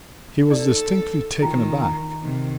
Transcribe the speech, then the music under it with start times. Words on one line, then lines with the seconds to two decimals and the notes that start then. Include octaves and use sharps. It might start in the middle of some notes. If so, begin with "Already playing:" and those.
He was distinctly taken aback.
0.50 D#4 A4 D5
1.42 D#3 F4 G5 A#5
1.82 A#5
2.23 C3 D#3